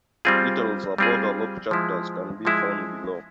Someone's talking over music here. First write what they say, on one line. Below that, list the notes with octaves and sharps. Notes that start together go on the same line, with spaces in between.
Details about Local Chapters can be found below.
G3 C4 F4 G#4
G3 C4 F4 G#4
F3 G#3 E4
F3 G#3 E4